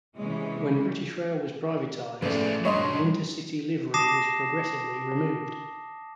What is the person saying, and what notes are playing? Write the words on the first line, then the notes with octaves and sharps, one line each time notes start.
When British Rail was privatised, the Intercity livery was progressively removed.
C3 E3 G#3 C#4
A1 F3 A3 G#4 D5
F#3 G3 D4 C#5 D#5 C6
A5 D6 D#6 A#6 C7 E7